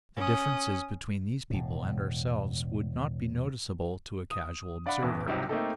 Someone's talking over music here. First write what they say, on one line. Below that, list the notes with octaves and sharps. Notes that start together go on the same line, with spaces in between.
The differences between these people and ourselves would not be noticeable to a casual observer.
C#4 D#6
E1 A2
D#6
D4 D5 F5 F#5 B5
D#1 A1 E2 B3
G1 C#2 G#2 C3 F#3 G3
A3 A#3 C4 D#4 G4 A4